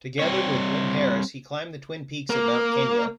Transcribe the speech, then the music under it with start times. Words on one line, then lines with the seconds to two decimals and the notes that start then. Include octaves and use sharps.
Together with Wyn-Harris he climbed the twin peaks of Mount Kenya.
0.19 G3 C4 C#5
2.30 A#3